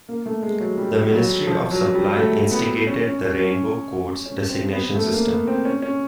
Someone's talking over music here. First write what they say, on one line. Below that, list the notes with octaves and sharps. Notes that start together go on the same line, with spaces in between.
The Ministry of Supply instigated the Rainbow Codes designation system.
A#3
A3
G#3
F#3
G3
F#3
F3
F#3
G3
A3
B3
C#4
C#4
C#4
C#4
C#4
C4
B3
A3
A#3
B3
C4
C#4
C#4